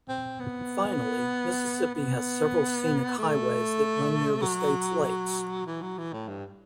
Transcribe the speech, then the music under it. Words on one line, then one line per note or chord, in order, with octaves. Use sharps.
Finally, Mississippi has several scenic highways that run near the state's lakes.
C4
B3
B3
A3
F#3
E3
F#3
E3
A2
G2